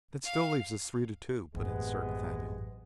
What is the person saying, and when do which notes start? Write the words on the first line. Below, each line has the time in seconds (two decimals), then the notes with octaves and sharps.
"That still leaves us three to two!" put in Sir Nathaniel.
0.24 F5
1.55 A1 F#2 C3 G#3 B3